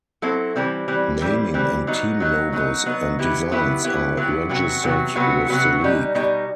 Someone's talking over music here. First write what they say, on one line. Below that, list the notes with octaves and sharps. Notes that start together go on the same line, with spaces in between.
Naming and team logos and designs are registered with the league.
F#3 C4 E4 A4
E3 G3 C4
E3 G3 C4
E3 G3 C4
E3 G3 C4
F#3 B3 D#4
F#3 B3 D#4
F#3 B3 D#4
F#3 B3 D#4
F#3 B3 E4 G4
F#3 B3 E4 G4
F#3 B3 E4 G4
F#3 B3 E4 G4
C3 F#3 B3 F#4
C3 F#3 B3 F#4
C3 F#3 B3 F#4
C3 F#3 B3 F#4
B2 G3 D#4
B2 G3 D#4